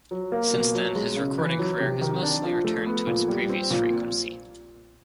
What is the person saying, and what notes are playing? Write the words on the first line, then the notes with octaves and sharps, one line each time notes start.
Since then his recording career has mostly returned to its previous frequency.
F#3
A#3
B2
F#3
G#3
C#3
E3
F#3
C3
D#3
D4
F3
A3
B3
A#2
G3
C4
A#2